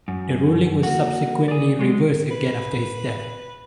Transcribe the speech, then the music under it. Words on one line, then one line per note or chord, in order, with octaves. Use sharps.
The ruling was subsequently reversed again after his death.
F#2
A#3 F#4
G#4 D5
F#3 G#3
B4